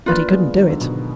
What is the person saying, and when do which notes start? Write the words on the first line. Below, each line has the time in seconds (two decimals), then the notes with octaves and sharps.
But he couldn't do it.
0.06 A#3 D4 F4 B4 D5
0.31 G#3 B3
0.56 D#3 F#3
0.69 D3
0.80 G#2 B2